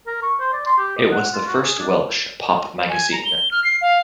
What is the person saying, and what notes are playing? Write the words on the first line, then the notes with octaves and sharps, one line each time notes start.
It was the first Welsh pop magazine.
A#4
C#6
C5
D5
C6
G4
D#5
F#5
F4
F#4
G#4
D4
G#5
A#5
G7
F6
C7
F5